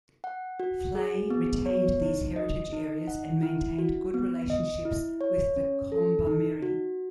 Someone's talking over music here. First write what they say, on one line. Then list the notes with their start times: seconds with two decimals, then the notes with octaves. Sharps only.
Fleay retained these heritage areas, and maintained good relationships with the Kombumerri.
0.24 F#5
0.60 F#4
0.95 G#4
1.30 B3
1.66 C#5
2.02 D#4
2.36 D#5
2.73 D#4
3.08 F#5
3.43 E4
3.78 F#4
4.14 B3
4.50 D#5
4.85 E4
5.21 C#5
5.56 C#4
5.92 A4
6.27 D#4
6.62 F#4